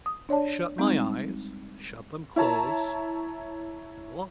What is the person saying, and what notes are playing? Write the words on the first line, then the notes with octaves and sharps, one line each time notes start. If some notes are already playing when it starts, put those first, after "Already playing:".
I shut my eyes--shut them close--and lo!
D#6
D4 C#5 D5 A5
G3 G#3 C4 D#4
E4 C#5 A5 A#5